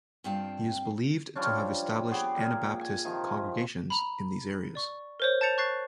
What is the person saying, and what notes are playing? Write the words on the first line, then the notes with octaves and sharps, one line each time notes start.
He is believed to have established Anabaptist congregations in these areas.
G2 A#3 C4 F4 G5 A5
F3 G3 C#4 D4
B3 G4 G#4 D6
A#2
G#5
C3 D#3 F3
A#5 B5
D5 C#6
A#4 C5 C#5
A5 G6 A6 C#7 F7
C#6 F#6 A6 C7